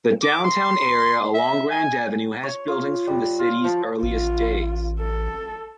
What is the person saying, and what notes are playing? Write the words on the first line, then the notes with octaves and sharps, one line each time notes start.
The downtown area along Grand Avenue has buildings from the city's earliest days.
D6
C6
E5
G#5
C#5
F4
G3
F4
F3
A1 F4
A4